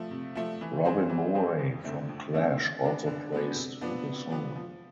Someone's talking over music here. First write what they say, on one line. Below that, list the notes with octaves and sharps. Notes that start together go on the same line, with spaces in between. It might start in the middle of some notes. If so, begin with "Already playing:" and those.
Robin Murray from "Clash" also praised the song.
Already playing: C3 F3 A3
C3
F3 A3
E3
G#3 C4 G#4 C5
E3
G#3 C4 G#4 C5
F2
D3 A3 C4
F2
D3 A3 C4
D3
G#3 B3 D4
D3
G#3 B3 D4
C3
F3 B3 D4
C3
F3 B3 D4
F3